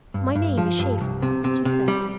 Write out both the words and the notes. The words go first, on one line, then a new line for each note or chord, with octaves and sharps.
"My name is Shaeffer," she said.
G2
G2
F3
G2
C2
C3
C3
C3
G3